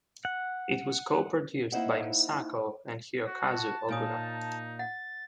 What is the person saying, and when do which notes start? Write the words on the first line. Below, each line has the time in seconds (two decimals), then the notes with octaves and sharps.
It was co-produced by Misako and Hirokazu Ogura.
0.25 F#5
1.72 A#3 D#4 E4 C5 D#5 F#5
3.27 F#4
3.45 A5
3.89 A#2 D#4 C#5 G#5 D#6
4.79 F#5 A6